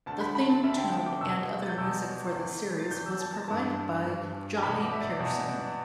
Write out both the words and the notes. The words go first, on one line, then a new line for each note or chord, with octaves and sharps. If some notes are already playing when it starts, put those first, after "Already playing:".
The theme tune and other music for the series was provided by Johnny Pearson.
D2 D3 A5
B5
B5
A5
D2 D3 E5
A5
G5
A5
D6
E2 B2 E6
A6
G6
E2 B2 E6
E2 E3
A6
E2 E3 G6
E6
A5
A5
G2 E3 A5
G2 E3
A5
E2 B2 B5
D6
E5
D5
E2 B2